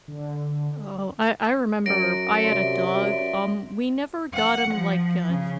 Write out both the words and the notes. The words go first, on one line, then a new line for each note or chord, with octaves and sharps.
Oh, I I remember I had a dog, um, we never got him, like, uh,
D3
F#2 F#3 A#6 D7
C3 D5 E5 C6
F#5
F3
C#3